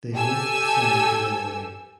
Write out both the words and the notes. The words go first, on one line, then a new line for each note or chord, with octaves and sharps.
They both decide to run away.
G4 A4 G#5 E6